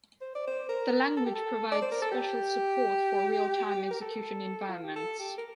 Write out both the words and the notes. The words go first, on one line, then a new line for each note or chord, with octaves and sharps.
The language provides special support for real-time execution environments.
C5
D5
C5
A#4
A4
G4
A4
D5
C5
A#4
A4
G4
A#4
A4
F4
G4
A4
G4
A#4